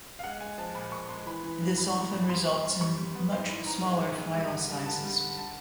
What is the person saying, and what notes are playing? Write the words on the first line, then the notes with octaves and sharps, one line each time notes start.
This often results in much smaller file sizes.
F5
G#3 F#5
G#3 G#5
F3 A5
A#2 B5
A#2 C#6
G#3 C6
E3 B5
E3
G2
G2 B5
G2
G2
G3 C6
G3
F#2
G3 C#6
G3
B3
G#2 C6
E3 B5
G#2 A#5
G#3
G#2
G#2
G3
D3
G3
D3 A5
G3
D3
A5